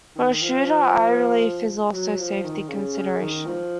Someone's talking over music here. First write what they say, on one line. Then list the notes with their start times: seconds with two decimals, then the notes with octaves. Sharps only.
For a shooter, eye relief is also a safety consideration.
0.16 D#3
0.41 F3
1.92 F#3
2.18 F3
2.43 D#3
2.69 C#3
2.94 C#3
3.19 D#3
3.45 F3